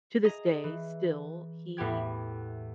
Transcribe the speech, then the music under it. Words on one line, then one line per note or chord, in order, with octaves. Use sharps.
to this day, still, he
G#4 D#5 A#5
E3
E2 A2 B3 G4 G#6